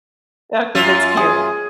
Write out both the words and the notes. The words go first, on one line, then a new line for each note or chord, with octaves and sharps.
Okay. That's cute.
F#2 F4 E5
G#4